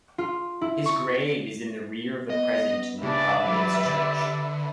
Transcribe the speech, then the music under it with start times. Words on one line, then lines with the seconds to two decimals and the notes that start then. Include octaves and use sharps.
His grave is in the rear of the present New Providence Church.
0.18 F4
0.61 E4
0.86 C#6
2.30 B3 D#5
3.02 C#3 D4 G4 B4 D5 E5
3.45 F#3 G#3 D5
3.86 D3